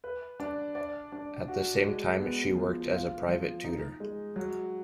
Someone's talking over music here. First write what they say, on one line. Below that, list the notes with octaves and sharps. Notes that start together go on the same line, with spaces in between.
At the same time she worked as a private tutor.
B4
D4
D5
D4
F#4
G#3
B3
F3
F4
F3
D#4
G#3
F#3